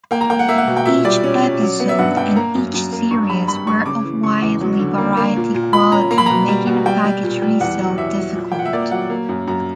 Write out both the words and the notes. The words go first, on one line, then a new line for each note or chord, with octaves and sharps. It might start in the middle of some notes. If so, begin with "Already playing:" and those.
Each episode and each series were of widely varying quality, making package re-sale difficult.
A#3 G5
A#5
A#3 G5
F#5
A#3 E5
F#5
B2
G5
A#2 E5
G3 D5
C#4
C#4
F#3
B3
E5
G2 F#5
G2 G5
A#3 A#5
F#2
F#2
A#3
G2 C#6
G3 B5
G2 B5
G2 C#6
C#3 D6
E3
C#3 C#6
E2
F#3
D3
A#3
A#3
A#2
A#2
A#2 B5
C#4 A#5
A#3 A#5
B5
B2 A#5
G3
B2
G3 G5
G3
A#2
G3
E2 F#5
F#3
E2 E5
F#3
A#2
A#2 G5
F#5
E5
A#3 D5
F#3 F#5
A#3
F#2
F#2 A#5